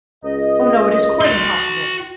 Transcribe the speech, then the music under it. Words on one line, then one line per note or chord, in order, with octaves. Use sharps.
Oh, no, it is quite impossible.'
C#2 D#5
F#4 C6